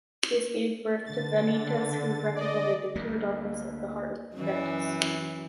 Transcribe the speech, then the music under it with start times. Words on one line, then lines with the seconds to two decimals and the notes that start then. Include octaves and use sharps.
This gave birth to Vanitas who represented the pure darkness of the heart of Ventus.
1.06 D3 A6
2.36 D5 D#5
2.96 D2 G3 A#3
4.35 F#2 E3